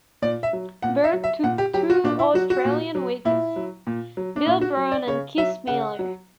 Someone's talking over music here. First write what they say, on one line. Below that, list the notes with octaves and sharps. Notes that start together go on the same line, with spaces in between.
Burke took two Australian wickets - Bill Brown and Keith Miller.
A#2 D5
E5
F#3
A#2 F#5
E5
F#3
E5
A#2 F#5
G4
F#3 G4
F#4
A#2 D4
E4
F#3 F#4
F#4
A#2
F#3
A#2 E4
F#3
A#2
F#3
D4
A#2 E4
F#4
F#3
D5
C#3 C#5
F#3 E5
C#3 F#5
F#3